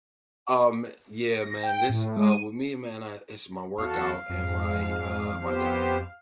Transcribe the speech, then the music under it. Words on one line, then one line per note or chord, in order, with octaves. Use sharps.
Um, yeah, man. This, uh, with me, man, I it's my workout and my, uh, my diet.
A#6
G5
A2
G#3
D#7
E2 F#4 A4 F5
F2 G#2
B3 G4 C5